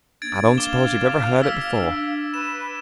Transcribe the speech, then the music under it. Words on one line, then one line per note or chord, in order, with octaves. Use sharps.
"I don't suppose you ever heard it before."
A#3 D4 G#6 A6 D7
F5 D6 E7 G7
G1
E6 B6
D4
B4 E7